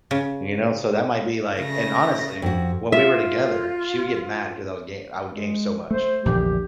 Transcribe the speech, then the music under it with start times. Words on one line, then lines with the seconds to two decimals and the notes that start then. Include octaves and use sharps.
And you know, so that might be, like and, honestly, when we were together, she would get mad, 'cause I was ga I would game so much.
0.11 C#3
1.56 C#3 A3 A#6
2.42 F2 F#4
2.92 F4 E5
5.29 G#3
5.91 A3 C5
6.25 A#1 E2 D3 G4